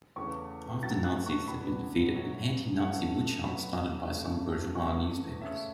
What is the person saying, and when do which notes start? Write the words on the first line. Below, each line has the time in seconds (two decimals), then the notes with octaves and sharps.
After Nazis been defeated, an anti-Nazi witch-hunt started by some bourgeois newspapers.
0.16 E2 C#3 A3 C#4 C#6
0.82 A2 F#3 A3 A6
1.04 F#6
1.26 C#6
1.48 E2 B2 B3 B5
2.13 F#2 F#3 C#4
2.79 F#2 E3 A3 C#4 F#5
3.44 B2 F#3 C#4 B5
4.10 F#2 C#3 A3 C#4
4.75 E2 E3 A3 C#6
5.41 C#3 A3 C#4 E5